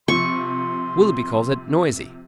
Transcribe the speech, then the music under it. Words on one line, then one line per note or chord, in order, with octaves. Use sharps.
Willeby calls it noisy!
C3 F3 C6 C#6